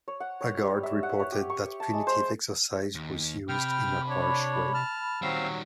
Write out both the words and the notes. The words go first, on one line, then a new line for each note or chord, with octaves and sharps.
A guard reported that punitive exercise was used in a harsh way.
C#5
F#5
C#5
G3
E5
F#5
C#5
G4
C#6
A5
G#3
C5
D#2
C3 G5 B5 F6
D4 C#5
A5 F6
D#3 F#3 G3 C4 F5 E6